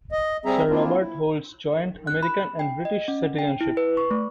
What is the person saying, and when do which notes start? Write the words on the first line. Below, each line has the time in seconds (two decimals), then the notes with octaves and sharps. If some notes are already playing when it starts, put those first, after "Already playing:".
Sir Robert holds joint American and British citizenship.
0.12 D#5
0.46 G3 C4 G#4 E5 A#5
0.70 A#3 C4 D4 E4 F4
0.98 E4
2.07 F#6
2.23 B5
2.59 G5
2.85 D#5
3.08 C#4
3.39 G5
3.61 E4
3.77 B4
3.97 C#6
4.11 A3